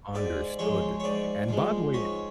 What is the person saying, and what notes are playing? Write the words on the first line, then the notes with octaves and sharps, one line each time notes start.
Understood. And by the way, eh, uh
G#2 D5
F3 G#3 C#5
C#5
G#2 D5
F3 G#3
G#2 C#5